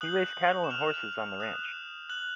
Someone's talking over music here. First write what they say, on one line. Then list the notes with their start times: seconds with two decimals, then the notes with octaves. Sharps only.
He raised cattle and horses on the ranch.
0.01 D#6 F#6 G6 F#7
0.64 E7
0.70 F6 F7
1.40 D#6 F#6
2.09 F#6 F#7